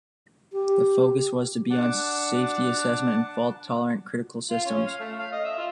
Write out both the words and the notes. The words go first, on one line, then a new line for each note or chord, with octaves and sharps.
The focus was to be on safety assessment and fault-tolerant critical systems.
G4
D4 F#5 A5 D6
F4
C#4
F5
A3
F5
D#5
E5
F4